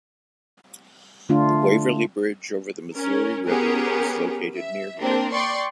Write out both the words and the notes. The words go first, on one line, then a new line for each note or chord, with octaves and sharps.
The Waverly Bridge over the Missouri River is located near here.
D3 A3 D4 F4
C#4 A#4
B3 C#4 G4 G#4 A#4
E5
A#3 C4 D4 A#4
D5 G5 C6 C#6